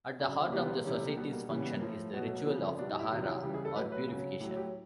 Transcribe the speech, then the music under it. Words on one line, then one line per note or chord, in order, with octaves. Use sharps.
At the heart of the society's function is the ritual of "tahara", or purification.
C#3 F#3 D4
A#3
C3 E3 G3 B3
C4
C3 E3 G3 C#4
A3
A#3
B2 G3 B3
A#3
C#3 E3 G3 A#3
B3
A#3
A2 F3
B2 F#3 B3
A3
A#3
C#3 F3 B3
C4
B2 G3 D4
D#4
E4
C3 D#3 F#3 F4
F4
E4
C#3 E3 G3 G4
G#4
A4
A2 F#3 B4
B4
C#3 F#3
A2 F#3 G4
G4